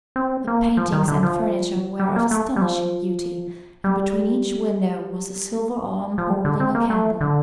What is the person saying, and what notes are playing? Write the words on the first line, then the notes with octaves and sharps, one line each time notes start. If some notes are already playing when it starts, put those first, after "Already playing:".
The paintings and furniture were of astonishing beauty, and between each window was a silver arm holding a candle.
C4
A#3
F3
D#3
D3
F3
G3
A#3
A3
G3
F3
G3
F3
G3
D3
C4
A#3
A3
D3